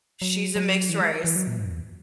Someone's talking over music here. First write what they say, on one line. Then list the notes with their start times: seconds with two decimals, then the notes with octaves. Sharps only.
she's a mixed race,
0.22 F#3
0.56 F#3
0.89 E3
1.01 G#3
1.24 E3
1.36 F#3
1.47 A#2
1.59 G#2
1.65 F#2
1.70 E2